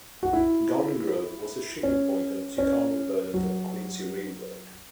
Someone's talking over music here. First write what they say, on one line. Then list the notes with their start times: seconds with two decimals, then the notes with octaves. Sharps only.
Garden Grove was a shipping point on the Chicago, Burlington and Quincy Railroad.
0.23 F#4
0.33 E4
1.83 C#4
2.58 C#4
3.34 F#3